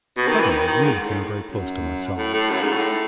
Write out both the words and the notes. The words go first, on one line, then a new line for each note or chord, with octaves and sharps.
'Suddenly Weena came very close to my side.
B2
D#3
E3
D#3
D#3
G#2
G#2
A2
F#2
A2
A2
F#2
G#2
A2